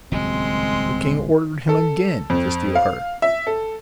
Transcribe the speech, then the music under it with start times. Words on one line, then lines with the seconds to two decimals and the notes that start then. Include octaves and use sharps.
The king ordered him again to steal her.
0.12 D#1 C#2 F#3 G#3 C4 C6
1.69 A4
2.30 F2
2.75 F5
3.22 E5
3.47 A4